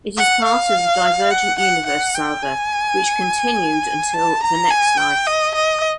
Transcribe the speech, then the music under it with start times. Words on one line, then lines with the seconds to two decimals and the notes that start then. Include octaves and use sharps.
It is part of the "Divergent Universe" saga which continued until "The Next Life".
0.17 F#5
0.45 F5
1.31 F#5
1.59 F#5
1.86 F#5
2.15 G5
2.43 G#5
4.13 A5
4.41 A#5
4.71 G#5
4.98 G5
5.26 D#5
5.55 D#5